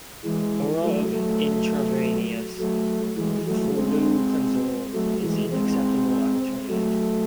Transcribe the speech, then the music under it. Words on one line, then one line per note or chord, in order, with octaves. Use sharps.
Oral or intravenous fluconazole is an acceptable alternative.
E3 G#3
F#3 A3
F#3 A3
F#3 A3
E3 G#3
F#3 A3
G#3 C4
F#3 A3
E3 G#3
G#3 C4
F#3 A3